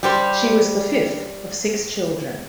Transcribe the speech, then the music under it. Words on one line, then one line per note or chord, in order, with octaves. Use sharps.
She was the fifth of six children.
G3 G4 C5